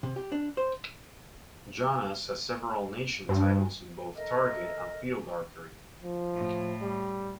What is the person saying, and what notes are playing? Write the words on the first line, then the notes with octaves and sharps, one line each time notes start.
Jonas has several nation titles in both target and field archery.
C3
G4
D4
C5
G2
A4 A#4 D#5 E5
F3
A2
G3